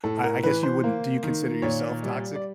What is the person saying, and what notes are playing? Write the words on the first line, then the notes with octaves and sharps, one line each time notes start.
I I guess you wouldn't do you consider yourself toxic?
A2 A4
A#4
E3 B4
C5
A#3
D#3
A#2 C#5
G3
D5